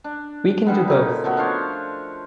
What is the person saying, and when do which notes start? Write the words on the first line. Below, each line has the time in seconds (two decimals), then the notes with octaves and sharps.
We can do both.
0.04 D4
0.66 D3 G3 B3
0.88 A#2 C#3 D#4
1.24 F3 F#3 A3 B3
1.37 D4 F4 C5 C#5